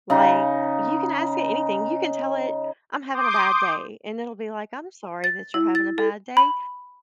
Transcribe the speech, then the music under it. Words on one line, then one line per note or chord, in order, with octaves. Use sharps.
like, you can ask it anything, you can tell it, "I'm having a bad day," and it'll be like, "I'm sorry that you're having a bad day,
C#3 D#4
C6 D6 D#6 G6
A6
E4
A6
A4
B5